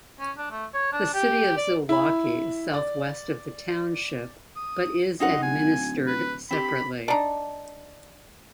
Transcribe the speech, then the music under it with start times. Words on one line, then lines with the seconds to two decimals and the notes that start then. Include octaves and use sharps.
The city of Zilwaukee is southwest of the township, but is administered separately.
0.20 C#4
0.38 D4
0.51 A3
0.74 C#5
0.93 D4
1.14 G4
1.57 D5
1.89 E4 B5
2.74 D5
4.56 D#6
5.20 F#2 C4 D#4 D#5 F#5
5.43 D1 G#5
6.07 B4
6.51 C4 G4 B5
7.08 D4 D#4